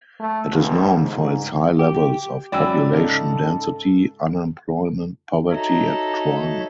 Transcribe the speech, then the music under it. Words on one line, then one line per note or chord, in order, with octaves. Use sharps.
It is known for its high levels of population density, unemployment, poverty and crime.
A3
F1
G#2
G4
G#2 E3 F#3 C#4 D5 G5 B5 E6
C#3 D#4 A4
D#4 F#4 A4 C#5 E5 A#5